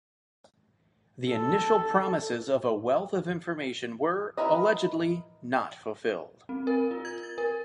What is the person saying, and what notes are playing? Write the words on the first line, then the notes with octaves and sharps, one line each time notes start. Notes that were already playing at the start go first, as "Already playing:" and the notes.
The initial promises of a wealth of information were, allegedly, not fulfilled.
A4
E4 A#4 B4 D#5
C4
A#4
F4
G#6
A6
A#4